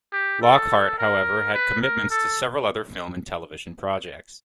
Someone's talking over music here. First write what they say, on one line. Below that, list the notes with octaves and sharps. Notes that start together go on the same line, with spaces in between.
Lockhart, however, had commitments to several other film and television projects.
G4
A4
A#4
B4
A#4
A4